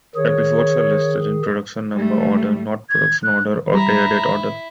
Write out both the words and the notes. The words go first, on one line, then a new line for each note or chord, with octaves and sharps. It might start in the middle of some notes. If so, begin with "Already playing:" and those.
Episodes are listed in production number order, not production order or air date order.
D#3 G#4 C#5
G3 A3
G#6
F#6
G3 E4 A#5 B5